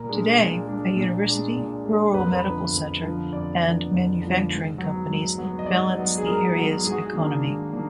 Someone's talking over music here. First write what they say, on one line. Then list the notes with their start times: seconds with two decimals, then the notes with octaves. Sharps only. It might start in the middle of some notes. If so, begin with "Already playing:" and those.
Today, a university, rural medical center, and manufacturing companies balance the area's economy.
Already playing: A#2 A#4
0.09 G#3 D4
0.38 A#2
0.68 G#3 D4
0.97 A#2
1.26 G#3 D4
1.57 A#2
1.85 G#3 D4
2.14 F2 B4
2.24 A#4
2.33 B4
2.44 D3 F3 B3
2.73 F2
3.02 D3 F3 B3
3.32 F2 D5
3.61 D3 F3 B3
3.90 F2
4.20 D3 F3 B3
4.49 G#2
4.78 F#3 B3
5.08 G#2
5.38 F#3 B3
5.59 D#5
5.66 G#2 D5
5.96 F#3 B3
6.18 G#4
6.25 G#2 A#4
6.55 F#3 B3
6.84 G#2 G#4
6.92 F#4
7.00 G#4
7.13 D#3 A#3 D4
7.43 G#2
7.72 D#3 A#3 D4